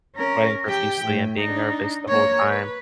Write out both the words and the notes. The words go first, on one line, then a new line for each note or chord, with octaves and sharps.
sweating profusely and being nervous the whole time,
C#4 A#4
G4 G5
A2
D4 D#4
A#3 C#5
B4